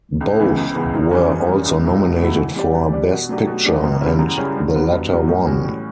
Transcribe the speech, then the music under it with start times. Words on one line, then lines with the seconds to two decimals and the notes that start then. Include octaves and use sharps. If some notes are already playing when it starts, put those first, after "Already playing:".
Both were also nominated for Best Picture, and the latter won.
0.21 C#2
0.39 C#3 E3 B3 E4
0.57 C#2
0.75 C#3 E3 B3 E4
0.94 F#2
1.11 E3 G3 C#4
1.30 F#2
1.48 E3 G3 C#4
1.65 C#2
1.84 B2 F#3 A3 E4
2.02 C#2
2.20 B2 F#3 A3 E4
2.38 E3
2.56 G3 D4 G4 D5
2.75 E3
2.93 G3 D4 G4 D5
3.10 B2
3.29 F#3 A3 D4 G4
3.47 B2
3.65 F#3 A3 D4 G4
3.84 F#2
4.01 C#3 G3 C#4 E4
4.19 F#2
4.37 C#3 G3 C#4 E4
4.56 G2
4.74 F#3 B3
4.92 G2
5.10 F#3 B3
5.28 A2
5.46 E3 G3 C#4 F#4
5.64 A2